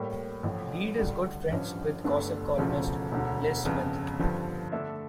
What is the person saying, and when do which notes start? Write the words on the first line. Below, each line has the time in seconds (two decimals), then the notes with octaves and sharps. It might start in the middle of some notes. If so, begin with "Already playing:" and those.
Reed is good friends with gossip columnist Liz Smith.
Already playing: A2 G3 A#3
0.43 A1 A2 F3
0.98 D2 D3 G3
1.51 A1 G2 F3 C#4
2.04 G1 G2 D3 A3 D4
2.58 E1 D2 C#3 F3 A3
3.12 E1 D2 D3
3.65 G1 F2 C#3
4.19 G2 D3 F3
4.72 D3 A3 D4 A4 E5